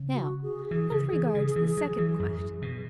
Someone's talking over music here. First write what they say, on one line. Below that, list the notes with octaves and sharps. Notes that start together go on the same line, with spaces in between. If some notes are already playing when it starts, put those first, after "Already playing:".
"Now as regards the second question."
Already playing: C#3
F#4
G#4
E3 G#4
C#3
E3
C#3
E3
F#3
E3
F#2
B2